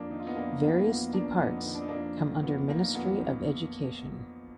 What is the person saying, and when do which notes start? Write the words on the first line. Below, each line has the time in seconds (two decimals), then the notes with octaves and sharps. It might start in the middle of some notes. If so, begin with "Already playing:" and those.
Various departs come under ministry of education.
Already playing: F2 A#3 D4
0.10 D#3 D#4
0.20 F4
0.27 B3 D#4
0.36 F2 A#3 D4
0.62 D#3 B3
0.78 A#3
0.87 F2 B3
1.13 D#3 A#3 D4
1.39 F2 B3 D#4
1.57 B3
1.66 D#3
1.75 D4
1.82 D#4
1.88 F2 A#3 D4
2.17 D#3
2.43 F2 B3
2.68 D#3 A#3
2.95 F2 B3
3.20 D#3